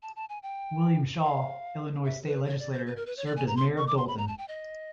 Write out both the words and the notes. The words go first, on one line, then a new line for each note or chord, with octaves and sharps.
William Shaw, Illinois state legislator, served as mayor of Dolton.
A5
A5
G#5
G5
F5
E5
B4
C#5
D5
C5
B4
A#4
B4
C#5
D5
G#5
A#5
C6
C#6
D6
C6
B5
A#5
A5
G5
D#5